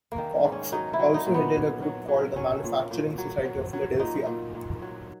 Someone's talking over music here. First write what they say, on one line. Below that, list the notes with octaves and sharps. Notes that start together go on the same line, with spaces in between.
Coxe also headed a group called the Manufacturing Society of Philadelphia.
A#3
D#3
G#2
C#4
F#3 D#4
E4
F#3
D#4
A#2
B3
F#3
F#3
F#3
F#3 C#4
A#2
A#2
F#3
F#3
F#3
A#2 D#4
A#2
A#2
F#3